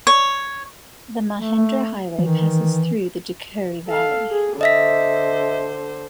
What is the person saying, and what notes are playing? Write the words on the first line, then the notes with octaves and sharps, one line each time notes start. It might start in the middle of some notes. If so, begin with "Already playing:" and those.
The Mahendra Highway passes through the Deukhuri Valley.
C#5
A3
D#3 E3
A4 F5
G#4
D3 C5 D#5 E5 B6